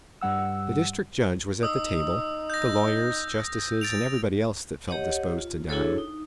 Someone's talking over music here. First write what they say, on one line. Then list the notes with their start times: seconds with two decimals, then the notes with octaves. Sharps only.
The district judge was at the table, the lawyers, justices, and everybody else that felt disposed to dine.
0.21 G2 G3 F#5 E6
1.63 D#4 D#6 E6
2.50 G6 A#6
3.81 A6 D7 F7
4.88 G4 C#5 D#5 F#5
5.39 F4
5.69 D4 E4 F#4 G#4 A4 C#5
5.98 D#4